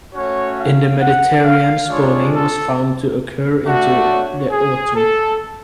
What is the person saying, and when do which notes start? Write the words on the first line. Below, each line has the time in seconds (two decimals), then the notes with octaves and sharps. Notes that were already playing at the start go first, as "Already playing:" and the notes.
In the Mediterranean spawning was found to occur into the Autumn.
0.13 A3 C#4 F#4 C#5
0.58 F5
1.01 F#5
1.44 F5
1.88 G#3 D4 F4 C#5
2.33 A4
3.64 A3 D4 F#4
4.07 C#5
4.51 G#4
4.95 A4